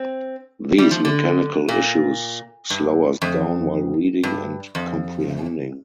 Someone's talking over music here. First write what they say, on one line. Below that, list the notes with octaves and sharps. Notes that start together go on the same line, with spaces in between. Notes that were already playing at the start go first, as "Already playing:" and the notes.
These mechanical issues slow us down while reading and comprehending.
Already playing: C4
G3
F3
D3
A#2
G2
F2
G2
F2